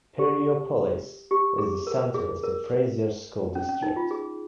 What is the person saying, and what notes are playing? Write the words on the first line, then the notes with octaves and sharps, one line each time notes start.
Perryopolis is the center of the Frazier School District.
G4
G4
G#4
A#4
G#4
A#4
C#4
C#4
D#4
F4
G#4